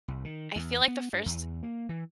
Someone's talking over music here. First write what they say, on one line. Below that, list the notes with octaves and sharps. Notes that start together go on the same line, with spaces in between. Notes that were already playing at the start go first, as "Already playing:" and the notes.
I feel like the first
C2
D#3
E2
B3
G2
E2
A#3
E3